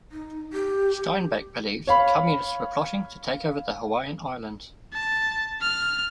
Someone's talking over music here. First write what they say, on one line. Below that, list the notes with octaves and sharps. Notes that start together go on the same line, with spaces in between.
Stainback believed Communists were plotting to take over the Hawaiian Islands.
D#4
G4
C#5 F5 B5
A5
F6